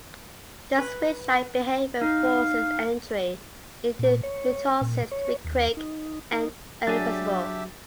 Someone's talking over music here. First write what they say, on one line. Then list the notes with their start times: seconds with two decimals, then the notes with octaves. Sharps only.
The switch-like behavior forces entry into mitosis to be quick and irreversible.
0.79 B4
2.01 D#4 F5
3.99 A#2
4.23 C#5
4.81 A#2
5.12 C#5
5.45 D#2
5.77 D#4
6.33 D#4
6.87 F#3 D4 G4 G#4 E5 A6